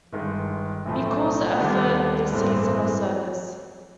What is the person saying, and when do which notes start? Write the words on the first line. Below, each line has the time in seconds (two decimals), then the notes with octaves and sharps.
He calls the effort the Season of Service.
0.13 G1 G2 D#3 G#3
0.85 B1 A2 F3 A3 C4
1.58 D#2 D3 G3 B3
2.31 A1 G2 E3 G#3 C4